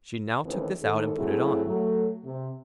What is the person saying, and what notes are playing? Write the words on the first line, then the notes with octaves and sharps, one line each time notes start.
She now took this out and put it on.
D#2 A2 E3 C4 C#4 B4
D#2 G#2 A4
F#3 A3 C4 E4 G#4
F#3 A3
C3